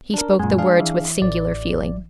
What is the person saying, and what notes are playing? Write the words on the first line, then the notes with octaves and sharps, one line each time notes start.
He spoke the words with singular feeling.
D4 A#4
F#2 A#2 G#3
D4 G#4 F5
E3
A1 D5